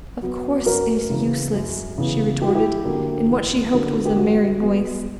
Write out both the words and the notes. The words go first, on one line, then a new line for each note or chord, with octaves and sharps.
"Of course it is useless," she retorted in what she hoped was a merry voice.
F#3 B3
F#2 F#4 A#4
C#3 E3 B3
F#2
C#3 E3 B3
E2 G4
F#4
E4 G4
D3 F#3 A#3
E2
D3 F#3 A#3
G4
G2 F#4
F#3 B3